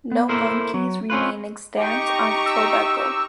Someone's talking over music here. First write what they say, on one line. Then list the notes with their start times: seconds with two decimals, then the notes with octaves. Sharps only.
No monkeys remain extant on Tobago.
0.12 B3
0.29 A#3 E4 A4 A#4 C5
0.74 F#3
1.10 C4 C#4 F4 B4
1.79 D#4 G4 A#5 C#6
2.46 E6